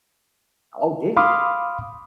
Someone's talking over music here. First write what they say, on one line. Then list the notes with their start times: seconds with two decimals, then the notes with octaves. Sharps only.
Oh, did he?
1.17 F5 B5 C6 D6 D#6 F6